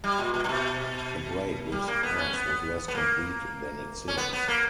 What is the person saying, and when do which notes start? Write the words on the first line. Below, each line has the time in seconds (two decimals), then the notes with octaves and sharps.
The break with the past was less complete than it seems.
0.04 G3
0.18 A#2
0.34 A#2
0.44 A#2
0.49 B2
1.72 G3
1.88 A#3
2.03 B3
2.18 C#4
2.33 B3
2.88 B3
2.95 A#3
4.08 C#4
4.17 B3
4.33 B3
4.48 A#3